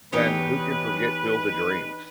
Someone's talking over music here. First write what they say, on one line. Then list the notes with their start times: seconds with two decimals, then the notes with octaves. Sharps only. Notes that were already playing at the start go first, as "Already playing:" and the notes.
then who can forget Field of Dreams?
0.12 E2 D#4 G4 B4 C#5